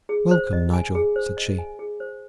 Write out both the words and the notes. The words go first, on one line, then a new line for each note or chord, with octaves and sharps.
"Welcome, Nigel!" said she.
G#4
C5
D#5
G#5
G#4
C5
D#5
G#5
G#4
C5